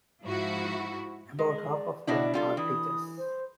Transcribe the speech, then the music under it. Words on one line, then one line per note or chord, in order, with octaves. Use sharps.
About half of them are teachers.
G#2 F3 E4 F#4
G#3
D5
B2 D4 E4 F#5
G3 F4 A4 D5
E3 D#6
C5